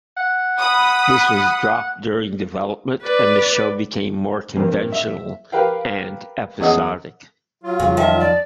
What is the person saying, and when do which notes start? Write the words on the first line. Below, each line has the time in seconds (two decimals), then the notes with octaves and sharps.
This was dropped during development, and the show became more conventional and episodic.
0.17 F#5
0.59 B5 D#6
3.02 B4 D5
4.57 G2 A#3 C4
4.92 E5
5.52 G4 A#4 B4 F5 G5
6.60 E2 C#4 G#4 D#5 F#5 D#6
7.63 F#3 F4
7.80 F2 C#3 G3
7.97 D#3 E5 A5
8.20 D5